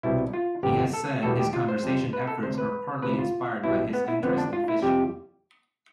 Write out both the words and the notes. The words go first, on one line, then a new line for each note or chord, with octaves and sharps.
He has said his conservation efforts are partly inspired by his interest in fishing.
C2 B2 G3 E4
F4
G1 F2 C3 G4
A4
E2 B2 G3 A4
G4
F4
C5
F2 D3 G3
B4
A4
D2 C3 G3 C5
B4
D2 C3 F3 B4
F4
B1 B2 G3 E4
B3
E4
F2 D3 F3 B3
D4
F4
E4
F2 C3 G3 G4